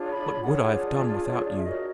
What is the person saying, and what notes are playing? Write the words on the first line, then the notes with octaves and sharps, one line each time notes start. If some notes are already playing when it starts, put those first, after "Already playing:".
'What would I have done without you?'
Already playing: D4 F4 G#4 C#5
B5
D4 F4 G#4 C#5 F#5
C#5
D5
C#5
D5
E5
F#4 A#4 C#5 D#5